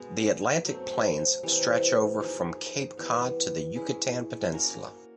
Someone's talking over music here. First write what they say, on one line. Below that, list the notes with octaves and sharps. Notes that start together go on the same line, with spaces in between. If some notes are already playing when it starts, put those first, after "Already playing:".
The Atlantic Plains stretch over from Cape Cod to the Yucatan Peninsula.
Already playing: B2 G#3 B3
F#3 A3 C4
C3 E3 G3
F3 A#3 D#4 G#4
E3 G3 B3
G#3 C#4 E4 G#4
A#3 C#4 F#4 A#4